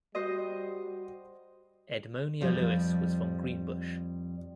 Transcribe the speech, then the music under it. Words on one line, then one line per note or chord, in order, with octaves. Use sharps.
Edmonia Lewis was from Greenbush.
G3 F#4 C5 D#5
F2 F3 G3